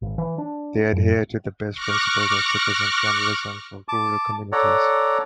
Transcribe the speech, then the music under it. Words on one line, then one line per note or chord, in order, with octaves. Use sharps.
They adhere to the best principles of citizen journalism for rural communities.
G#1
E3
D4
F#2
C#6 D6 F6 F#6 A#6
A5 D6
A4 C#5 D5 F#5 A#5